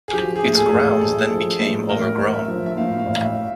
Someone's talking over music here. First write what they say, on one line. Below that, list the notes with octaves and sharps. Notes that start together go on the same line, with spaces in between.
Its grounds then became overgrown.
G#4
F3 G4
G#4
A2
A4
G#4
A1
A4
A1 A4
F3
A2
A1 A#4
A1
E5
F3
E5
A2 F5
F5
A1
E5